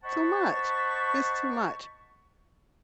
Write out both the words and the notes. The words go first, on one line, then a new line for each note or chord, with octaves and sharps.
too much, it's too much.
C5 D#5 F#5 A5 B5 C#6